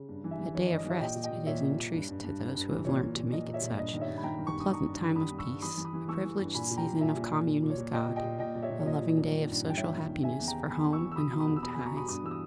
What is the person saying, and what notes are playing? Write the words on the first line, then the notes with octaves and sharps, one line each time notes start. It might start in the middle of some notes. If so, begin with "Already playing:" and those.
A day of rest it is in truth to those who have learnt to make it such; a pleasant time of peace; a privileged season of commune with God; a loving day of social happiness for home and home ties.
Already playing: C#3
G2
E3
E5 G#5
E3
E3 C#5
D#5
G2
D#5
E3 C#5 E5
A#2 D#5 G5
A#2
D#5 G5
A#2
A#2 C#5 E5
A#2
A#2
G2
G2
G2
G2
G2
E3
A#2 C#5
A#2
A#2
A#2 D#5
A#2
C#5 E5
A#2
G2 D#5
D#3 D#5
C#5 E5
G2
B5
D#3 G5 A#5
D#3
C#6
G2
D#6
D#3 A#5 C#6
G2
D#3
G2 B5 D#6
G2
C#6 E6
G2
E3 B5 D#6
E3
B5 D#6
E3
E3 C#6 E6
E3
G2
A#2 G#5 B5
A#2
G5 A#5
A#2
A#2 E5 G#5
A#2
A#2
A#2
A#2
C#5
A#2
A#2 D#5 G5
A#2
D#5 G5
A#2
A#2 D#5 G5
A#2
C#5 E5
A#2
C#5
A#2 D#5
A#2
A#2
D#3
G2
G2
G5
D#3 C#5 E5
D#3
D#3
C#3 E5 G#5
E2
G5 A#5
E2
E2 G#5 B5
E2
C#6 E6
E3
E6
B2 B5 D#6
B2
B5 D#6
E2
E6
B2 B5 D#6
B2 G#5 B5
A#5 C#6
B2 B5 D#6
G2 B5 D#6
E3 E6
D#6